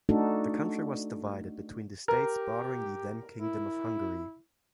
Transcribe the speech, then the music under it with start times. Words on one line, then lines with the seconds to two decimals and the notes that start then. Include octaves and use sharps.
The country was divided between the states bordering the then Kingdom of Hungary.
0.09 A3 D4 D#4 F#4 A4
2.08 G4 A#4
3.38 E4